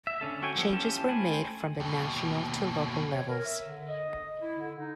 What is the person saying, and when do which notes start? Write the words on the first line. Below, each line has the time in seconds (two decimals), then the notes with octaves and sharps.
Changes were made from the national to local levels.
0.07 E5
0.21 D3 C#4 A4
0.42 C#4 F#4 C#5 G5 G#5
0.55 F3 G3 B3 A4
0.72 E3 C#4 F4 G4 A5
1.08 A3 C5 G5 G#5 B5
1.80 D#2 B2
3.12 C#5
3.29 A#4
3.45 E5
3.64 D3
3.88 D#5
4.40 E4
4.59 D3
4.78 D#4